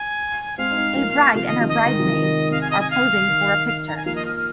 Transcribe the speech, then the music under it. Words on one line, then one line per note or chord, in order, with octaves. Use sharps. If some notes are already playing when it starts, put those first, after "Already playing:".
A bride and her bridesmaids are posing for a picture.
Already playing: G#5
G#3 C4 F5
D#4
G#3 C4
F3 A#3
C3 F3 F5
D#3 D#5
C3 F3
D#5
D#3 G#3
C3 F3
D#3
C3 F5
G#5
D#5
G#5
F5
D#3
F5
A#5
G#5
F3 A#3 F5
D#5
F6
F6